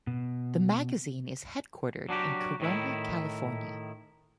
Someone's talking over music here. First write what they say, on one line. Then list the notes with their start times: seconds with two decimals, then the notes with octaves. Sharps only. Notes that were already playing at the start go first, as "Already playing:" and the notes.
The magazine is headquartered in Corona, California.
0.07 B2
2.09 F#3 D4 F#4 G4
2.60 A2 D#3 E4